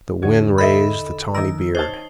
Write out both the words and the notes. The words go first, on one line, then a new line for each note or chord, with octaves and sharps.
The wind raised the tawny beard.
E2 D3 F#4 C#5
D#4 A4 D#5 E5 B5
D#3 D#4 A#4 E6
D#4 C5 C#5 A5